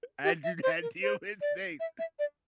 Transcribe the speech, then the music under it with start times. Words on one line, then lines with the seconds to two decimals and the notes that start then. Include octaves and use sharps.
I do not deal with snakes,
0.24 G4
0.44 E5
0.63 C5
0.82 A#4
1.02 C5
1.41 D5
1.80 E5
1.99 E5
2.19 D5